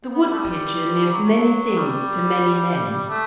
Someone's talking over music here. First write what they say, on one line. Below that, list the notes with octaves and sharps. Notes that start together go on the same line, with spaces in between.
The woodpigeon is many things to many men.
B3
G3
A3
G3
F#3
G3
A3